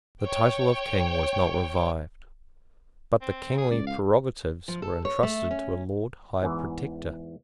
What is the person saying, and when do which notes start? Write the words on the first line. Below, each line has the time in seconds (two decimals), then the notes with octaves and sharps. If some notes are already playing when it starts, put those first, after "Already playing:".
The title of King was not revived; but the kingly prerogatives were intrusted to a Lord High Protector.
0.23 C#5 G5
3.21 C4
3.57 G#4
3.71 C#2 D5
3.87 F5
4.68 F3
4.82 A4
5.05 C#5
5.23 A3
5.51 C#4
6.42 E2 G#2 E3